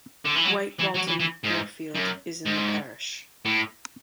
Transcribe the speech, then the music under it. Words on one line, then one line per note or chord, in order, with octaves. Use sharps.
White Waltham Airfield is in the parish.
D3
E3
F#3
E3
F#3
E3
E3
G#2
F#2
G#2
A2